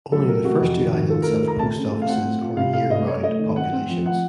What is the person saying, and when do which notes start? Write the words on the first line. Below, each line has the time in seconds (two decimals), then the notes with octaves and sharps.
Only the first two islands have post offices or year-round populations.
0.12 F#3 A4
0.27 C3 A#4
0.45 C3 F#4
0.60 F2
0.77 D#3
0.94 D#3
1.10 F4 A4
1.22 A3 A#4
1.42 A3
1.47 A#5
1.59 C4 A5
1.76 C#3
1.92 A3
2.02 F5
2.08 C4 F#5
2.25 A2
2.42 F4
2.57 C3 F5
2.73 A3 F5
2.90 A3 D#5
3.07 A3 C#5
3.23 A3 D#5
3.39 D#3
3.56 C4 F#5
3.72 C4
3.89 F3
4.06 F#5